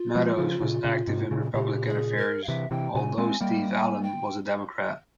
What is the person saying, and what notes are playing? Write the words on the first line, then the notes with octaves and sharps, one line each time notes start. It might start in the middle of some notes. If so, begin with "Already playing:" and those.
Meadows was active in Republican affairs although Steve Allen was a Democrat.
Already playing: F4
F3 G#3
C#3 F3
A#2 C#3
A#2 C#3
G#2 C3
A#2 C#3
A#2 C#3 G4
G#4
A#4
F5
C3 E3 E5
C3 E3 G5
A#2 C#3 G#5
G#3 C4 G#5
G3 A#3 G5
G#5
G5